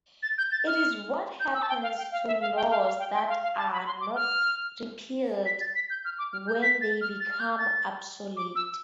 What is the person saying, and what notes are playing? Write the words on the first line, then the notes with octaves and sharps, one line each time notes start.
It is what happens to laws that are not repealed when they become obsolete.
A6
G6
A6
F6
G6
E6
A5
G5
F5
G5
F5
E5
F5
G5
F5
F5
G5
G5
F5
F5
A5
B5
C6
D6
F6
B6
A6
B6
G6
F6
D6
F6
G6
B6
A6
F6
A6
F6
G6
A6
D6
E6